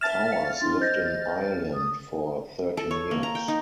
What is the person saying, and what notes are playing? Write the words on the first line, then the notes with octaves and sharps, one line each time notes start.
Powers lived in Ireland for thirteen years.
E5 A5 F6 A6 E7
F5 C#7
D4 E4 C6
C5 D#5 G6 A#6
D#6
A4
C#5
A#3
A#5
G5
D#4